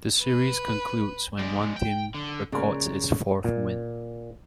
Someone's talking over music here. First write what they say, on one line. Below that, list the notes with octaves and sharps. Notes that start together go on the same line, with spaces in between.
The series concludes when one team records its fourth win.
B4
G#3 D5
G5
D3
A#2 C#3 G#3 A#4
A#2